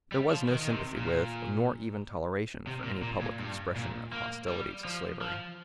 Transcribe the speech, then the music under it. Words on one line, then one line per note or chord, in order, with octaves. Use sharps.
There was no sympathy with nor even toleration for any public expression of hostility to slavery.
G3
F3
D#3
D#3
C3
A#2
C3
A#2
A#2
A#2
G2
A#2
A#3
G3
F3
F3